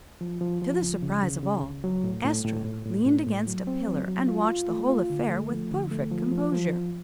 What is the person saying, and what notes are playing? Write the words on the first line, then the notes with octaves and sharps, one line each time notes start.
To the surprise of all, Estra leaned against a pillar and watched the whole affair with perfect composure.
F3
F3
F3
C#2
C#3
C#3
C#3
C#2
F#3
A2
A2
A2
A2
A2
A2
A2
F#3
C4
F#3
F#3
F4
F4
A3
F4
D3
A3
F3
D3
A3
F3
F3
F3
F3